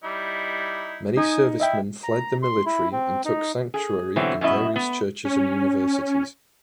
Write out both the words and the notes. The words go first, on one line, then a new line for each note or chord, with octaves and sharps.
Many servicemen fled the military and took sanctuary in various churches and universities.
G3 D#4 E4
D#4 G#5 D#6
E4 D#5 E5 G5
A#5
C6
E4
C4
D#4
G#4
B2 D3 E3 F#3 C4
F#2 B2 E4 D#5
B3
C#4